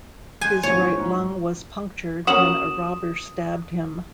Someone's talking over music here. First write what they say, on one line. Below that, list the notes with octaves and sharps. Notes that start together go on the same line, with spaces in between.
His right lung was punctured when a robber stabbed him.
G#5 C6 F#6 G6
G#1 A2 F3 C#5
F3
G#2 F#3
A#3 C#4 F#4 D#6 E7 F#7